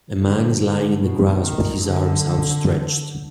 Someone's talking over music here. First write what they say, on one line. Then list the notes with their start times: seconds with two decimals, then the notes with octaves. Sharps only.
A man is lying in the grass with his arms outstretched.
0.20 D3
0.61 D3
1.00 B2
1.41 D#3
1.80 D3